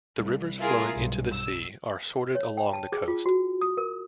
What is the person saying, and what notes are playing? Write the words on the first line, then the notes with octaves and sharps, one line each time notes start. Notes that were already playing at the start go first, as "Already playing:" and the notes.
The rivers flowing into the sea are sorted along the coast.
C2
E4 F4 G#4 A#4
B1 G2
E6
C#5
G5
A5
G#4
F4
F#4
D#6
A#4